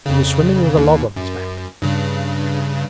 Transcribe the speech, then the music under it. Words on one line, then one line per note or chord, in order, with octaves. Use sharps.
'He was swimming with a log on his back.
F2 C#3
D#2
F#2
G2 C#3